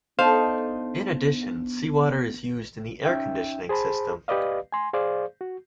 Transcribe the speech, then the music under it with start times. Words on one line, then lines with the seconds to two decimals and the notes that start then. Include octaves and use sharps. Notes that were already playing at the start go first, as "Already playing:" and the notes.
In addition, seawater is used in the air-conditioning system.
0.19 B3 D4 D#4 A4 C5 F5
3.05 C#4 D#4 E5 G5
3.69 G#4 C5 A5 B5
4.28 G4 B4 D5 D#5 F5
4.72 G#5 C6
4.94 G#4 C5 D5 F5
5.41 F#4